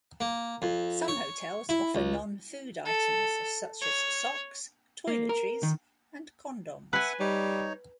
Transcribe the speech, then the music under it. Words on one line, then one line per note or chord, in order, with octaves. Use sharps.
Some hotels offer non-food items, such as socks, toiletries, and condoms.
A#3
F2
C#5
E4
C#2
A4
C#5
A#3
A#4
D#3
B4 E5 F#5 G#5
G3 D#4 C#5